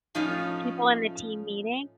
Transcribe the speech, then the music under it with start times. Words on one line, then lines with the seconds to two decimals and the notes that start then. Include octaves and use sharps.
people in the team meeting?
0.15 A2 F3 A3 C#4 D#4 F4